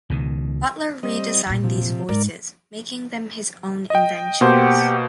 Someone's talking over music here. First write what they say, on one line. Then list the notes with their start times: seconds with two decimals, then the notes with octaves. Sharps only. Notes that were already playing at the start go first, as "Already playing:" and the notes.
Butler redesigned these voices, making them his own inventions.
0.10 C#2 B2 D#3
1.03 G3 C4 D#5
1.47 E1 A#2
1.64 C3 F3
2.09 G#2 A#4 D5
3.90 D#5 G5
4.41 B2 A#3 G4 C5 F#5